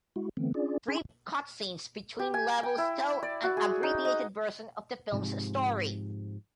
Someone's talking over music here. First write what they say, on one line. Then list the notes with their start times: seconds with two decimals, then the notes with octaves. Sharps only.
Brief cutscenes between levels tell an abbreviated version of the film's story.
0.16 G#3 E4 F#4
0.37 D3 E3 A3 B3 C4
0.54 C#4 D4 F4 G#4 D5
0.88 C#4 D4 G#4 G#5 C6
2.19 G4
2.34 G#5
2.63 G5
2.78 E4
3.23 D5
3.43 F#4
3.57 G#4
3.83 D#4
4.05 D#5
5.12 G#2 C3 F3